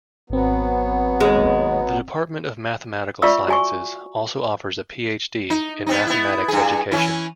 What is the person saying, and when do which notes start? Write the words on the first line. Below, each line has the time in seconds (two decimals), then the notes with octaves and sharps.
The Department of Mathematical Sciences also offers a Ph.D. in Mathematics Education.
0.30 G#1 F#3 B3 C4
1.20 D#2 G#3
3.22 F4 D5 E5 C#6 E6
3.48 F#4 G#5 C#6
5.50 D#4
5.87 B3 C4 D#4
6.07 B3 E4
6.48 G2 G#4
6.91 E3 C#4 E4